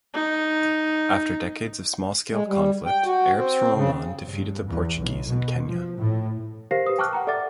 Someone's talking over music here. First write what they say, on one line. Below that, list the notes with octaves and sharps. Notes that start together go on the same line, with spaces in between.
After decades of small-scale conflict, Arabs from Oman defeated the Portuguese in Kenya.
D#4
G#3
G3
G5
F#4
C4
C#3
G2
E2
B1
B2
F3
A2
G4 A#4 C5 F5 A#6 C7
G4 B4 D#6
G5 A5 C#6 D6 F6 F#6
F#5 G5 A#5
A4 D5 E5 F#5 D6 A6